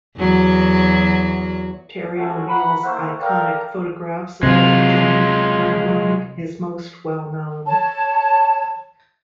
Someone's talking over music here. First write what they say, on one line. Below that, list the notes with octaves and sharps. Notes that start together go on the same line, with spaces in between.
Terry O'Neill's iconic photographs of Elton John are among his most well-known.
E2 F#3 F#4
G#3 A3 C#4 F#4 A4
F#4 F#5 A#5 B5
A3 A#3 E4 C5 F#5 C#6
A4 A#4 D5 F5 G5
C3 F#3 G#3 F4
C#5 A5